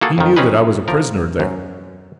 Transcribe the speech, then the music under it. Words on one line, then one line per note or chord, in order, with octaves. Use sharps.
He knew that I was a prisoner there.
A#3 F4 F#4 G#4 A4
F2 D#3
C4 C#4 D#4 G#4 B4
F3 A#4
F#2